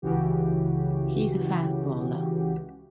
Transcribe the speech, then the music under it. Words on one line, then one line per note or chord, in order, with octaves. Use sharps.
He is a fast bowler.
C#2 C#3 E3 F#4 G4